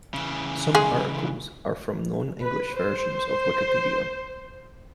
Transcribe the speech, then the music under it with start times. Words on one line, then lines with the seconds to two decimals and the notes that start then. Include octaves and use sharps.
Some articles are from non-English versions of Wikipedia.
0.14 C#3 E3
0.75 G#3 G#4
2.40 B4
2.74 C5